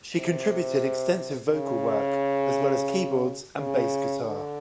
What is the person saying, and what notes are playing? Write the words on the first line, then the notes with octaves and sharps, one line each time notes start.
She contributed extensive vocal work as well as keyboards and bass guitar.
C3
C#3
C#3
D3